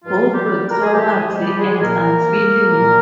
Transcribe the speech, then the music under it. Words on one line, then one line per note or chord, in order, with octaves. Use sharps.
Both were "cowardly and unfeeling".
G2 E3 F3 F4
G3 G4
A#4
G#4
C2 C3 E3 G3 G4
G#3 G#4
G3 G4
G#3 G#4
G#4
C2 A#2 A#3 A#4
C2 A#2